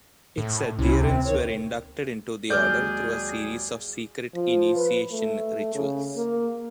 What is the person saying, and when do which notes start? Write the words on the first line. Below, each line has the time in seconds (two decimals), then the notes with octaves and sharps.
Its adherents were inducted into the order through a series of secret initiation rituals.
0.38 A2
0.79 C2 C3 C#4 E4
1.00 D2 C4
1.26 E2 D#3 C#5
2.50 D#2 F#3 G#3 G#4 D5 D6 F6 G6
4.35 F3
4.76 B4
5.12 A3
5.75 C#3
6.17 A#3